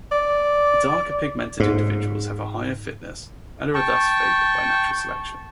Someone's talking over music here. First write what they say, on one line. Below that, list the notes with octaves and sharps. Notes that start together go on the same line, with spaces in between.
Darker pigmented individuals have a higher fitness and are thus favored by natural selection.
D5
G#2
G5 A5 C#6